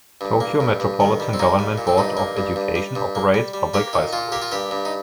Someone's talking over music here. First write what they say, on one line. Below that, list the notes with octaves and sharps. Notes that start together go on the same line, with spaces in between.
Tokyo Metropolitan Government Board of Education operates public high schools.
G2
A#3
G2
G2
D#3
G3
C4
A#3 D#4
G3
A#2
C4
G2 D#4
A#3
G2
G2
G3
G2
A#3
G3
G3
A#3 G4
A#2 D#4
A#2 F4
A#3 G4
F4
G2 G4
G2
D#4